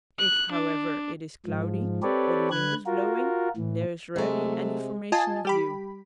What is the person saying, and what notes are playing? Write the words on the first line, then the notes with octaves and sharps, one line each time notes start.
If, however, it is cloudy or the wind is blowing there is rarely any formation of dew.
F#6
D4
G#2 F3
C4 G4 A4 B4 C#5 D5
D3 B4 F#6 G#6
F4 F#4 A#4
A2 E3
C3 F#3 G#3 A3
G#3
F4 D#5 G#5 A5
G3 G4 B5